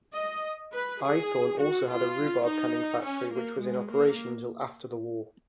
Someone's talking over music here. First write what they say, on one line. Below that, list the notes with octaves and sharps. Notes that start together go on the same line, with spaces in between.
Eythorne also had a rhubarb-canning factory which was in operation until after the war.
D#5
B4
G#4
F#4
F4
D#4
C#4
A#3
G#3
A#3